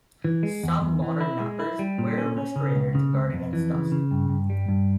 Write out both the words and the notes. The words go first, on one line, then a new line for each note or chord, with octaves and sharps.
Some modern knappers wear a respirator to guard against dust.
E3
G#3
E2
E2
E3
E4
G#3
E4
G3
A#2
C#4
C#4
C#3
C#2
C#3
C#2
F2
E3
C#3
C#3
G2
G2
G3
G2